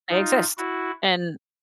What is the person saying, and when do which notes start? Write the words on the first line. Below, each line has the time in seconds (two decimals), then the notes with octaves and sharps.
they exist, and
0.10 D#4 F4
0.58 E4 F#4